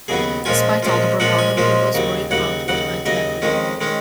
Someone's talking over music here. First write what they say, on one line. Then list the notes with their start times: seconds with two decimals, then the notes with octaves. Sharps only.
Despite all the bravado he was worried about what might happen.
0.08 D#2 C#3 F#3 B3 G#4
0.45 A#2 F3 G#3 C#4 F4 G#5
0.82 A#2 F3 G#3 C#4 F4
1.20 A#2 F3 G#3 C#4 F4 F#5
1.39 G#5
1.57 A#2 F3 G#3 C#4 F4
1.94 D#2 C#3 F#3
2.31 D#2 C#3 F#3 F#5
2.68 D#2 C#3 F#3 F#5
3.06 D#2 C#3 F#3 D#5
3.42 F2 D#3 G#3 C#4
3.81 D#3 G#3 C#4